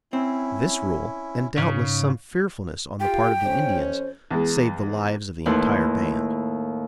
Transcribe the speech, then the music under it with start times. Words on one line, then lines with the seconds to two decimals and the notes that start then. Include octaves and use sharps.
This rule, and doubtless some fearfulness on the part of the Indians, saved the lives of the entire band.
0.13 C4 C#4 E4
1.58 G#2 C#3
3.00 F4 G4 G5
3.43 F2 C#4 C5
4.31 E2 G#3
5.46 D#2 A2 E4 B4 C6